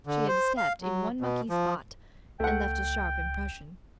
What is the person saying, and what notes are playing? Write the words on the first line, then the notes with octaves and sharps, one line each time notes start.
She had stepped in one mucky spot and left a sharp impression.
D3
C5
F5
F#3
B2
F3
C#2 A3 F#5 G5